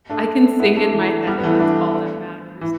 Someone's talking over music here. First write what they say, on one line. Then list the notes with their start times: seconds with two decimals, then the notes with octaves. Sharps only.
I can sing in my head and that's all that matters.
0.10 A3 D4
0.60 B3 E4
0.77 A3 D4
0.94 E3
1.27 G3 B3
1.39 B3
1.44 E3 A3
1.60 A3 D4
2.61 E3